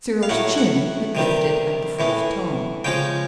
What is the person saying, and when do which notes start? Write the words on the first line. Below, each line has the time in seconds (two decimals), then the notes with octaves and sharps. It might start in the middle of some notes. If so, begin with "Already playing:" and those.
Cyril's chin had lifted at the first tone.
0.23 F5
0.29 A2 F#3 A3 F#5
0.58 F#5
1.15 C3 D#3 G3
1.99 A2 E3 A3
2.84 C#3 F3 G#3 G5